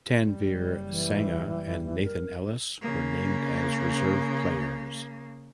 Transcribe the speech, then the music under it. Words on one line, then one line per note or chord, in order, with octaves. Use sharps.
Tanveer Sangha and Nathan Ellis were named as reserve players.
F#1 G3
E3
A#4
C#3 A#3